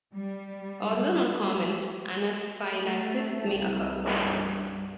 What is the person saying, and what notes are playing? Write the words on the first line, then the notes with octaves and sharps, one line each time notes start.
Although not common, anaphylaxis may occur.
G3
A3
C2
G2